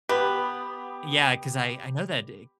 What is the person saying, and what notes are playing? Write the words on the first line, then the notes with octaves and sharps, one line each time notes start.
Yeah, 'cause I I know that they
B3 G4 B5